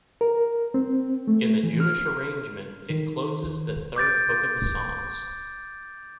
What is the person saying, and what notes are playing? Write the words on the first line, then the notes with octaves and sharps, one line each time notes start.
In the Jewish arrangement it closes the third book of the Psalms.
A#4
C4
A3
E3
F6
D#3
D6 G6 A6 D7